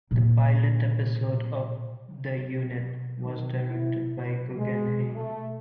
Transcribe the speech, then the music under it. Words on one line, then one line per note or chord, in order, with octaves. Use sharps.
The pilot episode of "The Unit" was directed by Guggenheim.
A#2 G3
D#3
E4
B4
G#3
A3